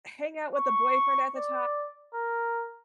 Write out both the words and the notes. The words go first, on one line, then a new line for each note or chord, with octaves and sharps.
hang out with the boyfriend at the ti
C#6
D5
A#4